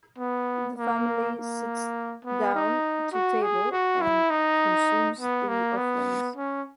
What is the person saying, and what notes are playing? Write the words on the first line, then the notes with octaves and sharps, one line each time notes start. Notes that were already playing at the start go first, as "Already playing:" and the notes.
The family sits down to table and consumes the offerings.
B3
A#3
A#3
B3
D#4
F#4
G#4
F#4
E4
D#4
B3
A#3
B3
C#4